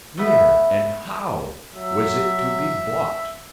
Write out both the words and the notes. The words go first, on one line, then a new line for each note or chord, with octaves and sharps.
Where and how was it to be bought?
A3 B3 E4 E5
F#3 E5